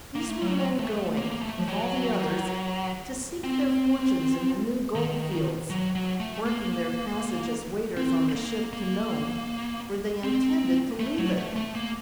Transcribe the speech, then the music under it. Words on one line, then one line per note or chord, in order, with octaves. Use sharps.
These were men going, with all the others, to seek their fortunes in the new gold fields, working their passage as waiters on the ship to Nome, where they intended to leave it.
A#3
A3
F#3
A3
A#3
A#3
A3
F3
F#3
C4
D#3
F#3
F#3
A3
A#3
C4
A#3
A#3
C4
A3
F#3
A3
A3
A#3